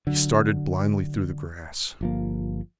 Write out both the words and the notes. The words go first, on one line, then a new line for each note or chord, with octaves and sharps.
He started blindly through the grass.
D3 F#3
G1 F3 A#3